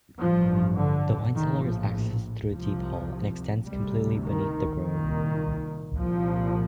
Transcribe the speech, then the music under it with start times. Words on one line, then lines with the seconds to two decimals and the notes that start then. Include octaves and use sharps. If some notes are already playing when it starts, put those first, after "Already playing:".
The wine cellar is accessed through Deep Hall, and extends completely beneath the Grove.
0.19 A1 G2 F3
0.77 D3
1.35 A#1 A2 D#3
1.64 F3
2.50 C2 C3 F3
3.65 D2 C3 G3
4.23 D#3
4.82 C2 A#2 D#3
5.97 C2 A#2 F3